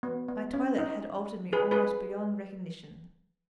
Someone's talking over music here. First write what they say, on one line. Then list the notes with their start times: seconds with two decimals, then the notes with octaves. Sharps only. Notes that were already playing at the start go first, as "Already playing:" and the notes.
My toilet had altered me almost beyond recognition.
0.03 B3
0.28 B3
0.54 C#4
0.79 D#4
1.53 G#4 B4
1.71 G#4 B4